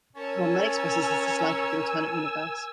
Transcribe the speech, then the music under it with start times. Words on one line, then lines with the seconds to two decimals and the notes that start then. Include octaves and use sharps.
Rom then expresses his dislike of the alternate universe.
0.16 C#4 A#4 C#5 G#5 A5 E6